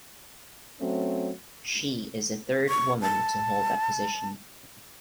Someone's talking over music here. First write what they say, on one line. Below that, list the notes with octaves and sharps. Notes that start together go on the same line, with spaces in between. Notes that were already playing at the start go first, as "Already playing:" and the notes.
She is the third woman to hold that position.
F#3 A3 C4 C#4
C#6
A5